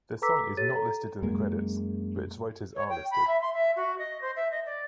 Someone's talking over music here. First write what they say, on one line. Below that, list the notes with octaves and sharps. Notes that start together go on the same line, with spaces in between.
The song is not listed in the credits, but its writers are listed.
A4 B4 A#5 D6 E6 B6
B6
G4 A4 C#5 A6 D#7
A4 A#5
F#2 G#3 A#3
C#5
G5
B5
E5
C6
E5
F#4
D#5
C5
E5
D#5
D5